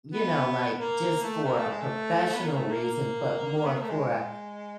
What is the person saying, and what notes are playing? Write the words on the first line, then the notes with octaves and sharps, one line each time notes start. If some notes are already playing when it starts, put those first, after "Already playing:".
you know, like, just for a professional reason, but more for a
B3
A#3
A3
A#3
A3
G#3
A3
B3
A#3
A3
A#3
A#3
B3
A#3
A3
G#3